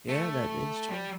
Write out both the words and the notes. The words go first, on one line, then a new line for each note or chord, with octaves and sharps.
Yeah, that is true.
A3
G3